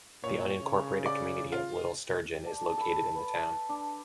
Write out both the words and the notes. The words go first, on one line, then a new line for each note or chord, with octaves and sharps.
The unincorporated community of Little Sturgeon is located in the town.
A#2 C#5
C#3
D5
F4
D5 A5
A4 B5
B4 A5
D4